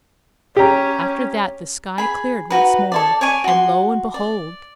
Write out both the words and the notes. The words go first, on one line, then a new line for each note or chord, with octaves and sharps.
After that the sky cleared once more, and, lo and behold!
C#4 G4 A#5
G#4 B5
D#4 F#4 B4
A4 C#5 D5
C#5 D5 G#5 C#6
F#4 C6
D5